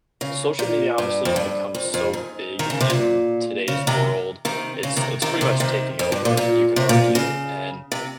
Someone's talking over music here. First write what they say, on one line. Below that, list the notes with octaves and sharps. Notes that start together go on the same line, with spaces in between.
social media, obviously, has become so big in today's world. It's it's pretty much taking over, you could argue, and
C#3
A#2
G2
F2
G2
F2
F2
G#2
D#3
C#3
C3
A#2
C#3
C3 D#3
C3 D#3
C#3
C3 D#3
C3 D#3
C3 D#3
C3 D#3
F2
G2
A#2
A#2
C3
A#2
C#3
C3